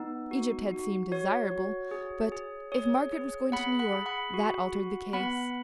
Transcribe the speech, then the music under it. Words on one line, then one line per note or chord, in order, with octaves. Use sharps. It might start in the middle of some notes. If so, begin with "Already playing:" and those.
Egypt had seemed desirable, but if Margaret was going to New York, that altered the case.
Already playing: B3 D#4
F#4
F#4
F#4 C#5
F#4
G#4
G#4
G#4 C#5
G#4
G#4 F#5 B5
F#5 B5
G#4
F#5 B5
F#4
F#4
B3 F#5 B5